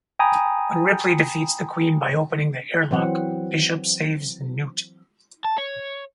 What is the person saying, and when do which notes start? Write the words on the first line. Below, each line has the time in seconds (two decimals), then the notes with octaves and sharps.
When Ripley defeats the Queen by opening the airlock, Bishop saves Newt.
0.19 G5 G#5 A#5 B5 D#6
2.91 E3 F#3 C4 F#5
5.45 A5
5.58 C#5